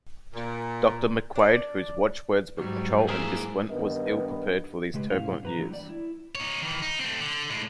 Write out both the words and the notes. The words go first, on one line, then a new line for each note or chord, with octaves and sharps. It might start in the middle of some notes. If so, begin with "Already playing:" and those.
Doctor McQuaid, whose watchwords were control and discipline, was ill-prepared for these turbulent years.
A#2
D4 D5
G#2 F#3 G3
E3 A#3 G#4 A#4 E5
G2 D#3 B3 A#4 B4 D#5
C#3 G#3 G4 B4
G#2 C3 G3 C#4 E4 F5
F#2 B4 A#5
D3 E3 F#3 B3
G3 D5
E4
D#4 C#5
D#3 E3
D#4
A3 C4
D3
A2 G#3